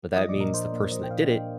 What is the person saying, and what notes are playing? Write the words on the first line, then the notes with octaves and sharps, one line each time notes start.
but that means the person that did it
F3 D#5
D5
A#2
A#4
D4 C5
A#3
F3 D#5
G5
A#2 F5
D4